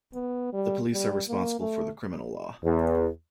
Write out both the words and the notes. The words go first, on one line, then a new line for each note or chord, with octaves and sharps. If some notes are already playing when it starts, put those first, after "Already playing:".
The Police are responsible for the criminal law.
B3
G3
G3
A#3
A3
E2